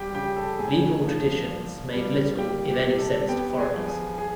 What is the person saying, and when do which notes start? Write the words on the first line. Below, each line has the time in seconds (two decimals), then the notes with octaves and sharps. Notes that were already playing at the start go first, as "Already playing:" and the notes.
Legal traditions made little if any sense to foreigners.
Already playing: G3 G4 G5
0.14 C#3 G4 G5
0.36 A4 A5
0.59 A2 G#4 G#5
1.04 F3
1.49 A#2
1.93 G3
2.38 A#3 G4 G5
2.69 G4 G5
2.84 C3
2.98 A4 A5
3.28 B3 G4 G5
3.59 G#4 G#5
3.74 F3
3.88 G#4 G#5
4.18 G#4 G#5